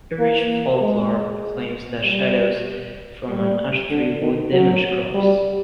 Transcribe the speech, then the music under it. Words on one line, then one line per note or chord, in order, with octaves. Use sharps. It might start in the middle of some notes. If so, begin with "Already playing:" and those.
Irish folklore claims that shadows from an ash tree would damage crops.
A#3
G#3
G3
G3
D3
D#3
F#3
G3